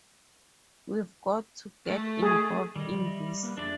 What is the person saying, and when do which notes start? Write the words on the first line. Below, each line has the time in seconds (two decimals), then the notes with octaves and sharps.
We've got to get involved in this.
1.85 A3
2.22 G#4
2.76 D#3 G3 D#5
2.90 G2 F3
3.05 D#5 E5
3.43 A#3 B4
3.57 F2 D4 G#4 D5 E5